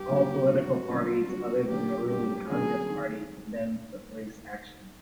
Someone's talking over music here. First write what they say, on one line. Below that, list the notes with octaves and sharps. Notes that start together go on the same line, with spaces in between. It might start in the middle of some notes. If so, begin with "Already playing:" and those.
All political parties, other than the ruling Congress Party, condemned the police action.
Already playing: G2 G4
D3 F#3 A#3 C#4
G2 F#4
D3 F#3 A#3 C#4 F4
G2 F#4
D3 F#3 A#3 C#4 G4
G2 G4
D3 F#3 A#3 C#4 G#4
D#3